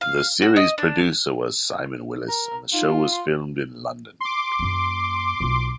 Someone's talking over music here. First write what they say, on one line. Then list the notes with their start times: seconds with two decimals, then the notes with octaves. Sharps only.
The Series Producer was Simon Willis and the show was filmed in London.
0.01 F5
0.42 F#4
0.56 D#5
0.78 D4
2.28 A#4 A#5
2.73 D#4 F4
3.12 C6
4.20 C6 D6
4.59 F#2 A#3
5.40 B1 F4